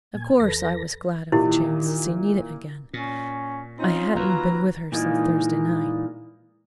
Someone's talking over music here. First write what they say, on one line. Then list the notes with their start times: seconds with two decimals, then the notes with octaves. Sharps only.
Of course I was glad of the chance to see Nita again--I hadn't been with her since Thursday night.
0.15 A#2 G#5
0.40 E2 A4 B4 A#6
1.32 A#2 D#3 E3 E4 G4
2.94 A#2 C#4
3.79 C4 C#4 D#4 F4
4.16 D#2 F#3 B4 A#5
4.92 A#2 E3 G#3 A#3 D#4 F4